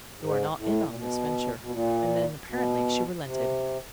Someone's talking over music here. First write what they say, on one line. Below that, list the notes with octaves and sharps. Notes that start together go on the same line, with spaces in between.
"You are not in on this venture." And then apparently she relented.
G#2
A2
A#2
B2
B2
A#2
B2
C3